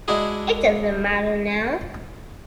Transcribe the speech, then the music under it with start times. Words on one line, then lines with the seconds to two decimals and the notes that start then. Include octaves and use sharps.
It doesn't matter now.
0.08 G#3 D4 E4 F#4 G#4